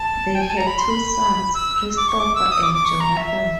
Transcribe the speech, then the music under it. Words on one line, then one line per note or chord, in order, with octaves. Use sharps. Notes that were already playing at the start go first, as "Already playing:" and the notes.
They had two sons, Christopher and Jonathan.
Already playing: A5
G5
G#5
A5
A#5
B5
C6
B5
E6
D6
C#6
D6
E6
D#6
D6
D6
C#6
A#5
E5